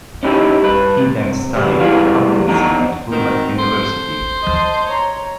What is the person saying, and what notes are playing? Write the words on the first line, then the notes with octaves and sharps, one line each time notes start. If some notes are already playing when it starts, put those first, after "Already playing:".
He then studied Accountancy at Plymouth University.
C#4 D#4 E4 G4
G2 B4
C3
C#2 G3 B3
G2 G3 G#3 B3 E4 F5
B3 D4 D#4 F#5 A#5
D#3 C4 F#4
A4 C5
D#5 A5
C#5 A#5